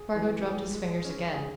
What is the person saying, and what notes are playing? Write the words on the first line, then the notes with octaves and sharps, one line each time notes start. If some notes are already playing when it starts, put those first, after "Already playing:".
Spargo drummed his fingers again.
Already playing: G#4
E3
G#4
G#3
C#4
G#4